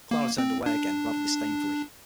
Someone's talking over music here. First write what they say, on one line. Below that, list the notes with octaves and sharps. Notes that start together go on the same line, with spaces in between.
Clara turned away again rather disdainfully.
A#3
C4
D4